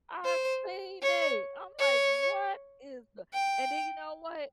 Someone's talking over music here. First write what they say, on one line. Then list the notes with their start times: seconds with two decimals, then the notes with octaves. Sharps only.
I've seen it, I'm like, "What is the" and then you know what?
0.25 C5
1.02 C#5
1.79 C#5
3.34 G5